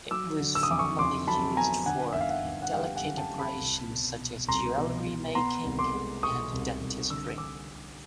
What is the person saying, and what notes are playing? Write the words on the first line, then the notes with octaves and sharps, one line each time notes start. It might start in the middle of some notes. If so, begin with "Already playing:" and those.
It was formerly used for delicate operations such as jewellery making and dentistry.
F#3 D6 E6
D3
E6
D#6
F2 D6
C#6 D#6
F2 C6 D6
F#3 A5 B5
B3 G#5 A#5
D3 F#5 G#5
G1 E5
F5
E5 F#5
G1
F#5
G3 F5 G5
F#5 G#5
F#2
G5 A5
G3
A5 B5
C2
B2
B2
C2 A#5 C6
B2
B2
B3 A#5 C6
C2
C6 D6
G#3
B2 C#6 D#6
C2
C2
D3 E6
D3 D6 E6